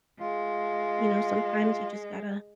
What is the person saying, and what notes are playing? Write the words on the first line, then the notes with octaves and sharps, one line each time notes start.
you know, sometimes you just gotta
G#3 F4